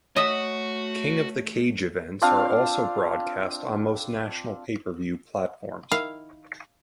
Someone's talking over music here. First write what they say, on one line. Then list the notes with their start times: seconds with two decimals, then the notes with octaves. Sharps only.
King of The Cage events are also broadcast on most national pay-per-view platforms.
0.16 A3 F#4 C#5 D#5 E5
2.22 C4 D4 F4 F5
5.92 D#3 E4 F5